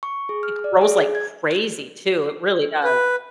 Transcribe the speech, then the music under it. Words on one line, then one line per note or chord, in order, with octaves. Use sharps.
It grows like crazy too, it really does.
C#6
G#4
F6
D5
G#4
G#6
B4